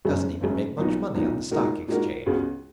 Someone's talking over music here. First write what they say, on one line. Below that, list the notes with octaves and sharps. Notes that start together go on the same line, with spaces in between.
He doesn't even make much money on the Stock Exchange.
F#1 F#2 C#3
F#1 F#2 C#3
B1 A#2 F#3 B3 D#4
B1 A#2 F#3 B3 D#4
A#2 G#3 D#4 F#4 A#4
A#2 G#3 D#4 F#4 A#4
C#2 C#3 G#3 B3 F#4